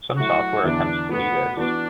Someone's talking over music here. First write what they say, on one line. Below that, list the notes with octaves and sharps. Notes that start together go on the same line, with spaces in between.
Some software attempts to do this.
F#3 A3 E4 F#4
E2 D3 B3 D4 E4
B2 A3 B3 F#4 B4
E3 B3 D4 F#4 B4